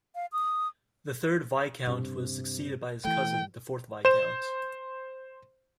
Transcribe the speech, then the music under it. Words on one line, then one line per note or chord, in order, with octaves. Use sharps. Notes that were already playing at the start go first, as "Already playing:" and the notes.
The third Viscount was succeeded by his cousin, the fourth Viscount.
F5
D#6
G2 C3
E3 A3 G5
C5 E7